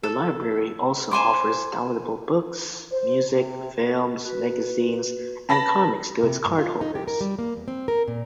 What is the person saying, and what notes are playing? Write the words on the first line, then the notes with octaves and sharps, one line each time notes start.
The library also offers downloadable books, music, films, magazines and comics to its cardholders.
A4
C5 G#5 C6 D6
C5
C3
F#4 B4
B4 A5 B5 A#6
C3
G2
F4
D#4
G4
A#4
G3
A#3
E2
C4
A#4
A#2